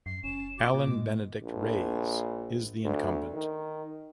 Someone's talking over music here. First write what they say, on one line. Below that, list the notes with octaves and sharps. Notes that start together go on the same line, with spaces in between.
Allan Benedict Reyes is the incumbent.
F#2 C7
F1 C#4 E7
F#4 D6
A#2
A2 G#3
A#1
D2
D#3